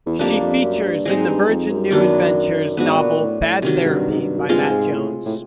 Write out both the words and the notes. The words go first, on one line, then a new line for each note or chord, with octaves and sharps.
She features in the Virgin New Adventures novel "Bad Therapy" by Matt Jones.
E2
F2 G3 A#3 D4
F2
F#2
G2
G#2 G#3 C4 D#4
G2
F2
F#2
D#3 F#3 B3 D4
G#2 B3 D4 F#4
A#2
A2
A2
C3 D#3 F#3
G#2
G2
G#2
G2
F#2
G2 G#3 C4 F4 G#4
G#2
A2
A2